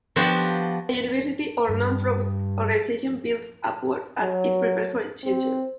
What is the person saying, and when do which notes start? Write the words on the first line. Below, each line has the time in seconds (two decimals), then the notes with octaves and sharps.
A university or non-profit organization builds upward as it prepares for its future.
0.16 F3 B3 D4 F#4 G4
1.69 G2
4.20 F#3
5.24 C4